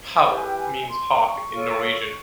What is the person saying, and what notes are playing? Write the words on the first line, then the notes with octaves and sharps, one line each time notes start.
"Hauk" means hawk in Norwegian.
E4 G4 B4 A5
G#5
G5
G#5
C6
C#6
F4 A4 C#5